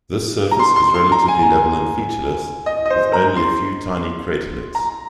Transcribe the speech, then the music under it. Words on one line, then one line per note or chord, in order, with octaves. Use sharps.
This surface is relatively level and featureless, with only a few tiny craterlets.
A#5
C6
C6
C6
A#5
G#5
D#5
D#5
C5
A#5
C6
A#5